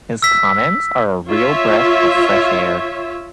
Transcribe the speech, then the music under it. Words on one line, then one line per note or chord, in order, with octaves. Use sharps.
His comments are a real breath of fresh air.
E6 B6
F4 C#5 E5